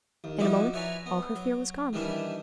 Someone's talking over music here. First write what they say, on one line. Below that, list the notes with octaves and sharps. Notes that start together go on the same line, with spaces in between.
In a moment all her fear was gone.
D#2
F3 D#4 E4 F#4 D6
E4 B4 C#5 D5 G#5 A#5
B3
F#3
D#3 E3 G3 D4 E4